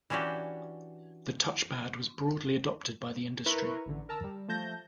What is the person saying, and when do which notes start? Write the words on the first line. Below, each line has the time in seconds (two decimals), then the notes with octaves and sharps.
The touchpad was broadly adopted by the industry.
0.10 E3 C#4 D4 F#4 G4
3.46 E4 A#4 B4 E5 A#5 C#6
3.86 A1 D3
4.09 A#4 A5 A#5 E6
4.24 G3
4.48 F3 A3 A5 G6 A#6